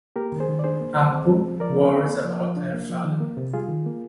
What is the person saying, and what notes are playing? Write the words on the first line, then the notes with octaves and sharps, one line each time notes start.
Appu worries about her father.
A#3 G4 A#4
D#3
G#4 C5
D#3
D5
D4 G#4 C5
A#3
D#3
C4
C4
F3
F3 A#4 D5
C4
C4
A#3
F3
F3
D4
A#3
F3
D#3
A#3
C3
G3 F4 G#4
D#3
A#3